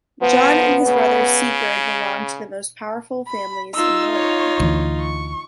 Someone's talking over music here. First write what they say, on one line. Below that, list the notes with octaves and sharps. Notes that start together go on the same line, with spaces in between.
Jon and his brother Sigurd belonged to the most powerful families in Norway.
F3 B3
C#3
B5
D#4 F4 E6
C#5
D2 E3
C#6